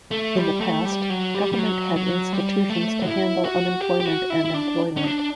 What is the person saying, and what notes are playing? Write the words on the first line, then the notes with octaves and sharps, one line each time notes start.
In the past, government had institutions to handle unemployment and employment.
A3
G3
A3
G3
F#3
G3
G3
F#3
F#3
G3
A3
F#4
E4
F#4
G4
G4
F#4
E4
E4
D4
C#4
D4